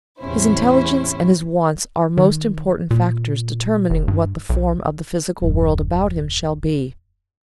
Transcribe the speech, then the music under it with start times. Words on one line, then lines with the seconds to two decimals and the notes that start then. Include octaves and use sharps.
His intelligence and his wants are most important factors determining what the form of the physical world about him shall be.
0.19 E2 A2 C3 C#4 E4 C5
2.17 D#3
2.91 A#2
3.90 F1
4.08 G2
4.50 B1
5.42 D#1 F#2